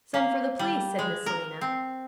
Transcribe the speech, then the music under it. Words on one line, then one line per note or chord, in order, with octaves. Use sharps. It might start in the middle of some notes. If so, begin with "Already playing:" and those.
'Send for the police,' said Miss Selina.
A#3
G3
G#3
A#4
C4